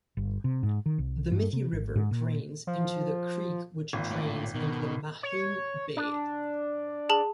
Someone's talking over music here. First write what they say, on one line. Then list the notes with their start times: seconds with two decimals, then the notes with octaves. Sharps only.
The Mithi River drains into the creek which drains into the Mahim Bay.
0.17 G1
0.44 C3
0.63 G#2
0.86 D#3
0.98 C2
1.32 G2
1.53 C3
1.73 G#1
1.96 G#2
2.11 A#2
2.67 F3
3.93 G#1 A#2
4.10 A2
4.54 B2 D#3
5.23 C#5
5.97 D4
7.09 G#4 A5 F#7